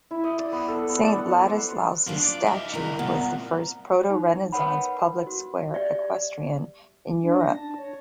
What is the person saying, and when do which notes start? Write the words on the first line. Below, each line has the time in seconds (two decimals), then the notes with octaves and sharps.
Saint Ladislaus' statue was the first proto-renaissance public square equestrian in Europe.
0.11 E4
0.24 D#5
0.39 D5
0.52 B3
0.68 A4
0.89 B3
1.03 D5
1.17 F#5
1.31 F#5
1.47 C5
2.07 F3 A#3 D4 F4 F5
2.20 D5
2.47 G4 A#4 D#5 E5
2.74 C2 E4 A#4 A#5
2.99 A#2 B3 F4
4.10 D#4
4.52 A#4 B4 C#5 F#5 B5
5.27 F#4
5.74 G4 D5 E5
7.22 D4
7.40 A#6
7.58 A5
7.78 C#5